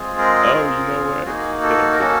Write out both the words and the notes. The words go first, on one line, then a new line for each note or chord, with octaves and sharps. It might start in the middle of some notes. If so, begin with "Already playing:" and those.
Oh, you know what? It could have been.
Already playing: G#3 C4 F4 G#4
A#4
C4 F4 G#4
A#3 D#4 F#4 G#4
A4
A#4
A#3 C#4 F#4 A4